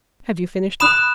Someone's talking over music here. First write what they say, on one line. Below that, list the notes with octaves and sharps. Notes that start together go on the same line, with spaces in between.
Have you finished it?
B5 D#6 F#6 E7